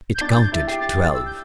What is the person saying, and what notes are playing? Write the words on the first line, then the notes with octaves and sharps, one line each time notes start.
It counted twelve.
G6
D4 A6
G6
A6
G6
E4 A6
G4 C7
A6
A6
A6
E6
G6